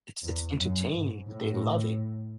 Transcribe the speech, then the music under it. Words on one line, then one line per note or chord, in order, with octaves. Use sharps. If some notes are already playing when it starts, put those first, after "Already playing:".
It's it's entertaining that they love it.
E2
F#2
G#2
A2